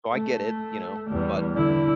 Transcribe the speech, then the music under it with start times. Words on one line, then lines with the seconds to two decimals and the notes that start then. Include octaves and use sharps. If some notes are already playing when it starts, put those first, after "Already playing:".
so I get it, you know, but,
0.11 A3
1.11 E2 G3
1.54 D3 E4